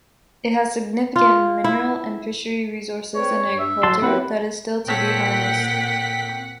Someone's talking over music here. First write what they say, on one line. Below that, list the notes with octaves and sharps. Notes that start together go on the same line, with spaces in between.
It has significant mineral and fishery resources and agriculture that is still to be harnessed.
F4
E4
C4 B4 C#5 D5
G2
E5
A2 F#3 A5 C6
F#3 C4 E4 G4 B4 F#5
A#2 C4 A4 C#5 F#5 G5 B6